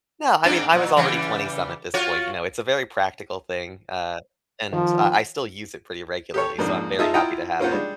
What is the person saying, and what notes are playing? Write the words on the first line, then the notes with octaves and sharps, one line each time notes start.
No, I mean, I was already twenty-some at this point, you know, it's a very practical thing, uh, and I I still use it pretty regularly, so I'm very happy to have it.
G#2 C4 D4
A#2 F#3
C#3 E3 G3
F4 F#4 C#5
D#3 F3
G4 A4 C#5
F2 G#2 A#3 D4
D#4 F4 G#4 D#5 E5 A5
E4 F4 D#5 F#5 G5 A#5
A#3 C#4 F4 C5 F#5
G3 G#3 D4